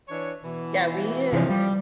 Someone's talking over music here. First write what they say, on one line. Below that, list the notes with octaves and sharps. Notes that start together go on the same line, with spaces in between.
Yeah, we, uh
E3 D4 C#5
B2 E3
C3 E3 F3
G3